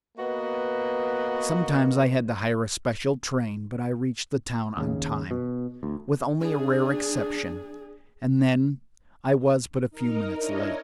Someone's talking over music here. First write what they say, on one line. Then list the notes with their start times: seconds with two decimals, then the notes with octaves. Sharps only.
Sometimes I had to hire a special train, but I reached the town on time, with only a rare exception, and then I was but a few minutes late.
0.18 A#3 B3 F#4 B4 D#5
4.77 D#2 C#3
5.31 B2
5.83 D2
6.40 D4 G#4
9.91 D#4 A#4 A#5
10.36 D4 E4 A#4 C#5 D#5